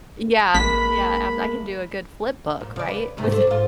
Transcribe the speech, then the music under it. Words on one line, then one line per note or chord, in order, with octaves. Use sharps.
N yeah, yeah. ab I can do a good flipbook, right, with
A1 G#3 A#3 B5 B6
A#2
C#3 D5
B4
G#2 C3 A3
D4 A4 C5
G#2 F4